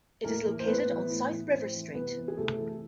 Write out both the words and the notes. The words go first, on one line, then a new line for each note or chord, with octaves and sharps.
It is located on South River Street.
A2 A#3 A#4
E3
C5
A2 B3 B4
E3
A2
E3
A2 C4 C5
E3
C3 B3 B4
E3
G#4
C3 A3 A4
E3